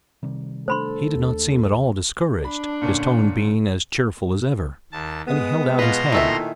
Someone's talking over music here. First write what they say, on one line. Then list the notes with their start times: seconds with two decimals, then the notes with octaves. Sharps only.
He did not seem at all discouraged, his tone being as cheerful as ever, and he held out his hand.
0.23 C3 D#3 G3
0.68 A3 D4 A4 C5 B5 C6
1.16 D#2
2.45 D4 B5
2.81 A#2 D3 C#4
4.92 D#2 A5
5.28 G#3 B3 D#6
5.79 B2 F4 B4 A#5 C6
6.12 A#2 D#3 A3 E4 A4 E5